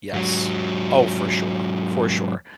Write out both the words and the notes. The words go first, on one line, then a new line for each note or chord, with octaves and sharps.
Yes, oh, for sure, for sure.
G#2 F#3